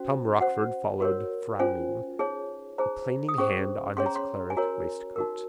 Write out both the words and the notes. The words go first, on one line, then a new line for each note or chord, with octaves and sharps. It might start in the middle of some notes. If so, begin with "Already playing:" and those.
Tom Rochford followed frowning, a plaining hand on his claret waistcoat.
Already playing: C#4 F#4 C5
F#4 C5 F#5
F#4 A#4 C#5
C#4 F4 C5 G#5
D#4 G#4 C#5
D#4 G#4 C5 A#5
D#6
C#4 G#4 C5 C#6
C#4 G#4 C#5 C6
A#5
C6
G#5
F#4 A#4 C#5 A#5
D#4 F#4 A#4